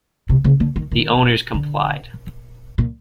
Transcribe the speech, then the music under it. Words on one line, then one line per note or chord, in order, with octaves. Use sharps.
The owners complied.
C3
C#3
D3
D#3
D#3
D3
A#2